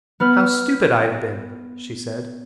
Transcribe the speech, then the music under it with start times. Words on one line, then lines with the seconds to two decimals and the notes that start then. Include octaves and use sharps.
"How stupid I have been," she said.
0.20 B3 B4 F6